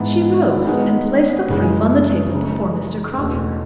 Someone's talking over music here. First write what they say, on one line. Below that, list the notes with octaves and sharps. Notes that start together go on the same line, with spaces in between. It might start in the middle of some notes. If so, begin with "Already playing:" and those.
She rose and placed the proof on the table before Mr. Cropper.
Already playing: G#2 E3 B3 E4
D#3 G#3 B3
F#2 C#3 E3 G#3
C#3 G#3 D#4
E2 B2 A3